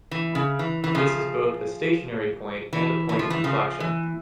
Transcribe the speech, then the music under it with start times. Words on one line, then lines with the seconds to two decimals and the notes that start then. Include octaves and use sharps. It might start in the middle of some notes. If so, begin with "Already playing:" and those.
This is both a stationary point and a point of inflection.
0.11 E3
0.35 C#3
0.59 E3
0.84 E3
0.95 C#3 F3
2.73 E3
3.09 E3
3.19 F3
3.30 E3
3.44 C#3 F3
3.80 E3